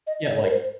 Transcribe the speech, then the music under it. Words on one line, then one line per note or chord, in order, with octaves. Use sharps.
yeah, like,
D#5
D#5
C#5
A#4
C5